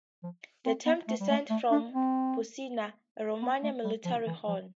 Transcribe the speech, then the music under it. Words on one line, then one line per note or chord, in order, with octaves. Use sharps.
The term descends from "Buccina", a Roman military horn.
F3
C4
B3
A3
G3
A3
A3
D4
C4
B3
A3
G3
F3
E3
F3